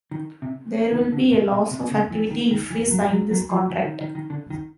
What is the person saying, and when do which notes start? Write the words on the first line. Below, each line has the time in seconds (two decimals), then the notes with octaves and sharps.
There will be a loss of activity if we sign this contract.
0.11 D#3
0.42 C3
0.92 D#3
1.12 D3
1.32 C3
1.52 B2
1.71 C3
1.91 C#3
2.11 E3
2.31 D#3
2.51 D#3
2.70 E3
2.91 F#3
3.11 F#3
3.31 F#3
3.51 F3
3.70 E3
3.85 D#3
4.01 D#3
4.15 D#3
4.30 D3
4.50 D#3